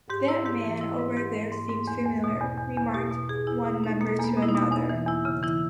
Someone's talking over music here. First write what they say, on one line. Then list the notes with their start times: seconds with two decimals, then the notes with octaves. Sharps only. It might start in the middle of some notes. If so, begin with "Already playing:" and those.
"That man over there seems familiar", remarked one member to another.
0.10 G#2 G4
0.28 G#2 E4
0.45 G#2 G4
0.64 E3
0.81 G#2 E4
0.99 G#2
1.17 G#2 G4
1.35 G#2
1.52 G#2
1.70 G#2
1.88 E2
2.05 E2
2.24 B2
2.41 E2
2.58 E2
2.77 E2
2.94 B2 G4
3.12 B2
3.29 B2 G#4
3.47 E2 E4
3.66 B2
3.84 B2 D#4
4.01 B2 A#3
4.19 E2 A#3
4.24 B3
4.37 B2
4.42 E4
4.49 D#4
4.55 B2
4.71 E2 D#4
4.89 E3
5.07 E2 E4
5.25 C#3
5.43 E3 E4